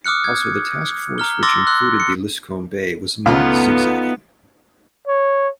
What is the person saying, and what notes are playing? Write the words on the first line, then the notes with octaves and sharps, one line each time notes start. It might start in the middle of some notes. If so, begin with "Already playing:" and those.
Also, the task force which included the "Liscome Bay" was not zigzagging.
D6 D#6 F6 F#6 C#7
G#6
A#5 F6 G7
C6 D6 E6 A6 A#6 G7
C6 E6 F#6
C#7
C#2 A3 B3 D#4 F4
C#5